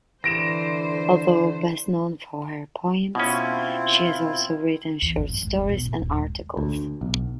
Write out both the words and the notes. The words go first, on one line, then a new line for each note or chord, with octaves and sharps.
Although best known for her poems, she has also written short stories and articles.
D3 E3 C5 A#6 D7 E7
B2 C4 C#4 E4 F4
E2
G#1
F#2
G#3
E1
B2
G#1
D#1
G#3
D2
B1